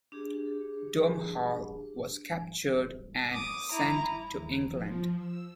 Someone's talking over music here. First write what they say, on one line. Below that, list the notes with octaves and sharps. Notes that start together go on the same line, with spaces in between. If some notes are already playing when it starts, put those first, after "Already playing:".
Domhall was captured and sent to England.
D4 G4 G#4
D6 D#6
E4 A#5
D#2
F3
E6